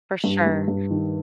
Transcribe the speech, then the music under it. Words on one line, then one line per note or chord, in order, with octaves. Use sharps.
for sure.
G2
G2
G2
D#3